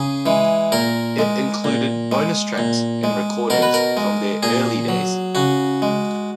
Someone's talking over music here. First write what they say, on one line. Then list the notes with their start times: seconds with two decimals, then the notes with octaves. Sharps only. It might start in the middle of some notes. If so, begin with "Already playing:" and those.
It included bonus tracks and recordings from their early days.
Already playing: C#3 G#4
0.26 E3 G#3
0.72 A#2 A#4
1.19 G#3
1.64 A#2
2.12 G#3
2.58 A#2
3.04 G#3
3.50 B2 A#4
3.62 B4
3.74 A#4
3.97 G#3
4.43 A#2 G#4
4.88 F#3
5.35 C#3 F#4
5.82 G#3